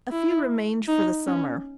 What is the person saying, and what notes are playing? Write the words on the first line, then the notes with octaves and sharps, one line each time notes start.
A few remained for the summer.
E4
D#4
C#4